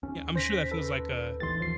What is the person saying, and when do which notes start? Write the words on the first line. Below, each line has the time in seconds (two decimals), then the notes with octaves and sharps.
Yeah, I'm sure that feels like, uh
0.03 D#2 C#4
0.36 C5 A#6 B6
0.71 A4 B4
1.40 A1 D#2 E3 C6 A6
1.60 F3 C7